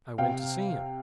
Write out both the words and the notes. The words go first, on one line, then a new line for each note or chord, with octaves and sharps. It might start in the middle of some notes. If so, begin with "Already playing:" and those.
"I went to see him."
C3 F5 G5